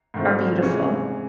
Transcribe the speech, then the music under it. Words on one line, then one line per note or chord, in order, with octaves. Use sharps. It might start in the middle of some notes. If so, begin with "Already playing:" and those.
are beautiful.
G#2 D#3 A3 C4
C3 E3 G#3 C#4